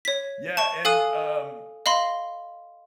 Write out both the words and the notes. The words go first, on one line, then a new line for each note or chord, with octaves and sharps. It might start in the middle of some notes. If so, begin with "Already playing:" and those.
yeah, and, um
C#5 B6
A5 C#6 E7
A4 F5 G#5 D#6 F#6
D#5 F5 B5 C6